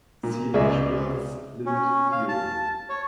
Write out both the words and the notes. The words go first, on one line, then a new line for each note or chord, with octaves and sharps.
See Edgeworth's limit theorem.
A#2
C#2 G#3 G#4 D5 E5
C#4
F5
A5
C#5